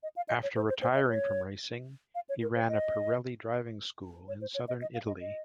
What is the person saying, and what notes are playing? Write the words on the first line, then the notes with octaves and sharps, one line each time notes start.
After retiring from racing, he ran a Pirelli driving school in southern Italy.
D#5
F5
D#5
C#5
C5
C5
C5
D#5
C#5
F5
C#5
A#4
C5
D#5
C#5
C5
C#5
D#5
D#5
F5
D#5
D#5